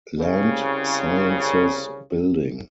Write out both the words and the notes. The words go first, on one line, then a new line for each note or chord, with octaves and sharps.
Land Sciences Building.
C2 C#3